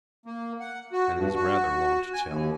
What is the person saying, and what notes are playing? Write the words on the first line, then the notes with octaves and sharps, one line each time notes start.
And it is rather long to tell.
A#3
F#5
F#4
G2
F#4
G#5
D#2